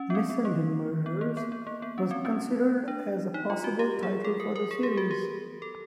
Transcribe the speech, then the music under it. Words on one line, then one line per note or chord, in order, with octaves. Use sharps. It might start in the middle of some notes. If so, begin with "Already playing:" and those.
"Missenden Murders" was considered as a possible title for the series.
Already playing: C#4
B3
C4
B3
A#3
B3
A#3
B3
B3
A#3
B3
C#4
C4
C#4
D4
D#4
F4
F#4
G4
G#4
A4
A#4
A#4
G#4
G4
F#4
G4
A4